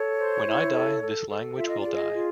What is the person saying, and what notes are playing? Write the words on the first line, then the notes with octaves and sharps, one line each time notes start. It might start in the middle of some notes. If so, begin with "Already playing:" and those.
When I die, this language will die.
Already playing: A4 C#5
C5
E4
A4
A4
A4
F4 E5
D#5
G#4 D5
D#5
F4